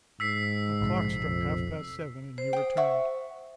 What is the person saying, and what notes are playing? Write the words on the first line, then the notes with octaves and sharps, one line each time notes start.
A clock struck half-past seven, and he returned.
G#2 E6 B6 C7
A#1 C3 F3
F2
C5
G5 D#6
E5 F#5 C#6